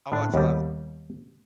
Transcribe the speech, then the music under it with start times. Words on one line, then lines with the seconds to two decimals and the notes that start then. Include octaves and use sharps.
I watch a lotta
0.12 A2 D3 D4
0.34 D#2 B2 G3